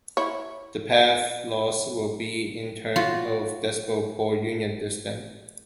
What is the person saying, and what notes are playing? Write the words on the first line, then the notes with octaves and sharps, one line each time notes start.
The path loss will be in terms of decibels per unit distance.
E4 C#5
F4 F#4